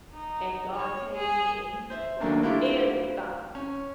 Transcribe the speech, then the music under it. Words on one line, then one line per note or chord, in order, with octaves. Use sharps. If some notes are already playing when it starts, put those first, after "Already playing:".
and God came in, and he destroyed everything,
D#4
C#5
G#4
C5 E5
D3 D#3 F#3 A3 A#3 D4
A3 D4 E4 F4 G4
C#4